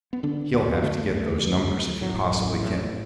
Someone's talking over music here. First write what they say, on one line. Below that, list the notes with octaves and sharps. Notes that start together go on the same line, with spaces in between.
He'll have to get those numbers if he possibly can.
B3
D3 D4
D2 B3
D3 A3
D2
D3
D2
A2 F#3
A1
A2